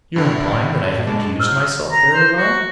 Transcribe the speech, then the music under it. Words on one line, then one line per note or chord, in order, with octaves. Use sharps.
"You're implying that I haven't used myself very well?"
E2 G2 D3 E4 G5
G#3 A5 D6
F#3 C5 E6 F6
A#5
C5
F#4